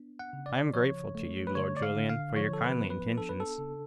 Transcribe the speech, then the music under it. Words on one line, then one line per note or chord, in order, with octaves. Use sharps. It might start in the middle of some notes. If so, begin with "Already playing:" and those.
I am grateful to you, Lord Julian, for your kindly intentions.
Already playing: B3 D4
F#5
C#3
D5
F3 C#5
A3
B4
D3 C#5
D5
F5
D3
F5
F3 C#5
A4
B4
B3
B4
D4 A4
B4
A4
C#3